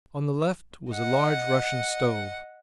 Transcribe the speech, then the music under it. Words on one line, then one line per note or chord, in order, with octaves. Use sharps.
On the left was a large Russian stove.
D#5 F#5